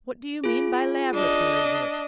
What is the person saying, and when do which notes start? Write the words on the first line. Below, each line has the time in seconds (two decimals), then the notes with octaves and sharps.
"What do you mean by Laboratory Work?"
0.44 F4 G#4
1.14 D4 D#5